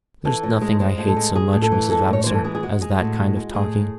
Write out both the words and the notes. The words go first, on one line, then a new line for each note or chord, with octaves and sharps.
There's nothing I hate so much, Miss Vavasor, as that kind of talking.
E3 A4
A2
G#3
G#3 C5
A2
A4
G#3
G#3 G#4
A2
A4
E3
G#3 A4
A2
C#5
E3 C5
A4
G#3 G#4
G#4
G#3 F#4
G#3 G#4
A2 F#4
G#3
G#3
A2 G#4
G#3